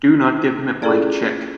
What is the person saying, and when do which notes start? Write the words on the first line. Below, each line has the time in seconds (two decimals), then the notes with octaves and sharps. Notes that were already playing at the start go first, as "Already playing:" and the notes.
Do not give him a blank check!
0.82 C#4 E4 F4 G#4 A4 D5